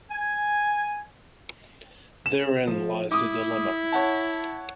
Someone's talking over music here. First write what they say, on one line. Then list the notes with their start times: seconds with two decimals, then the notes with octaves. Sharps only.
Therein lies the dilemma.
0.11 G#5
2.26 E7
2.67 F3
3.12 E4 D6 D#6
3.92 C#5 F#5 A5